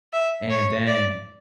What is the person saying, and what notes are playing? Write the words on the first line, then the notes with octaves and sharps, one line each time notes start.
And then
E5
C#5
D5